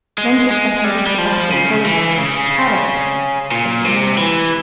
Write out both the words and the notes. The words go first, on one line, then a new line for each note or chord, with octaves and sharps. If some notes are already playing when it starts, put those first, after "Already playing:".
Then she sat and looked about her, calling "Kadok!" but there was no answer.
G#3
G#3
G3
G3
F3
C#3
E3
C#3
A#2
C3
E3